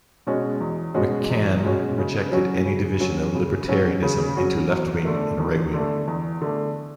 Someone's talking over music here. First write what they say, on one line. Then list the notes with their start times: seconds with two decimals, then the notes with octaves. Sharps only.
Machan rejected any division of libertarianism into "left wing" and "right wing".
0.27 B2 G#3 C#4 F#4
0.60 E2
0.94 B2 G#3 C#4 F#4
1.30 E2
1.64 B2 G#3 C#4 F#4
1.98 C#3
2.31 F#3 C#4 F#4
2.65 C#3
3.00 F#3 C#4 F#4
3.34 C#3
3.68 F#3 C#4 F#4
4.02 C#3
4.36 F#3 C#4 F#4
4.70 E2
5.05 D3 A3
5.39 E2
5.73 D3 A3
6.07 E2
6.42 D3 A3